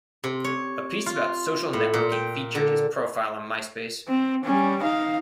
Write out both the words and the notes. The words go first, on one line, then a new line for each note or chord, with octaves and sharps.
A piece about social networking featured his profile on MySpace.
C3
C#5
F4
A2
A#2
G5
D3
C4
G3 C#4
D#4 F5